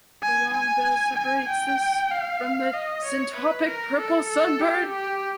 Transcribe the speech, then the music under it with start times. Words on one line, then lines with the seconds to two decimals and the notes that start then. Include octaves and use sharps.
The long bill separates this from the syntopic purple sunbird.
0.22 G#5
0.54 G#5
1.16 G#5
1.49 G5
2.11 F5
2.73 D#5
3.05 C#5
3.36 B4
3.68 A#4
3.98 A4
4.29 A4
4.61 G4
4.92 G4